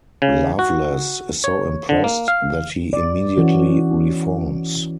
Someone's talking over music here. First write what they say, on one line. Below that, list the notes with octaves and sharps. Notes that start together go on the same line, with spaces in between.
Loveless is so impressed that he immediately reforms.
C#3
F#4
C#5
D3
A#3
F5
D5
E3 C#4 F#4